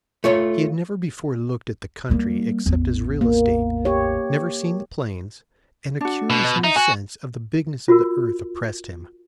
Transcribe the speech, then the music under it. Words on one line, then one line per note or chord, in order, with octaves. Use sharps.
He had never before looked at the country except as real estate, never seen the plains, and a curious new sense of the bigness of the earth oppressed him.
A3 F4 C#5
G3 A#3
A1 E2
A#3
G4 C#5
D4 F#4
B2
D#5
D#4 E5
F#4 G#5
F4 F#4 A#4